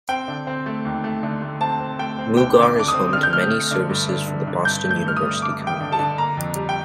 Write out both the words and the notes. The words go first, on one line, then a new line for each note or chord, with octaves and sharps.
Mugar is home to many services for the Boston University community.
C4 G5
D3
C4
A3
D#2
A3
D3
A3
C4 A5
C4
A3 G5
C4
D#2 G5
D3
D6
D3 D6
D#6
C4
D3 F6
G6
A3 F6
A3
D3
G2
D3
D3
D3
G2 G6
A3
G6
G2 F6
D#6
D3
G2 D6
G2
G5
D3
A5
D3
A#3 A#5
F2
G3
G5